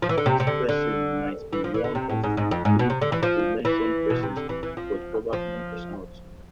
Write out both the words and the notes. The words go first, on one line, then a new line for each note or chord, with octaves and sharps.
This person might be one of the three prementioned persons, but probably is not.
F3
E3
D3
C3
C3
D3
D3
E3
F3
E3
D3
C3
A2
G#2
G#2
F2
G#2
B2
C3
D3
E3
F3
E3
B2
C3
D3
E3
E3
F3
F3